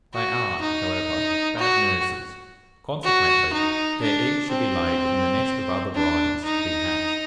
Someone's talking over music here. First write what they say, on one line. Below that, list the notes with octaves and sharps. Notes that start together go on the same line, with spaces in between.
They are, however, bad nurses; consequently, their eggs should be laid in the nest of other varieties to be hatched.
F#4
D#4
F#4
F#4
D#4
D4
C4
D4
D#4